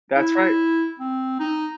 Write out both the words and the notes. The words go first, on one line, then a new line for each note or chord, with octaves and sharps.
That's right.
E4
C4
D#4